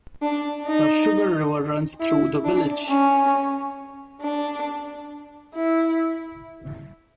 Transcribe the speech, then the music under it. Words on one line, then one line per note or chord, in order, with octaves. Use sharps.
The Sugar River runs through the village.
D4
D#4
E4
D4
C#4
D4
E4